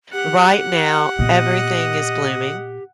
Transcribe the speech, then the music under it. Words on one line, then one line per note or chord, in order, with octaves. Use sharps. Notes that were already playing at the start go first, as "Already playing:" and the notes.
right now, everything is blooming,
G4 F#5
A#2 B3 D#5